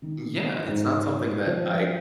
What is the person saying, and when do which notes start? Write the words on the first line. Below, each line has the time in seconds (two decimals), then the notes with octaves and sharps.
yeah, it's not something that I
0.02 D#3
0.68 G#2
1.47 F3